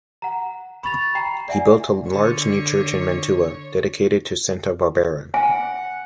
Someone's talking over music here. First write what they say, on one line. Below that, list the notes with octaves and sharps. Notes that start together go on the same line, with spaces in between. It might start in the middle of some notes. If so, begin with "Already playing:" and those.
He built a large new church in Mantua, dedicated to Santa Barbara.
F#5 A#5
B5 C#6 A6 F7
G5 A#5 C7
D5 E5 F#5 G#5
D3 C#5
F#5 G#5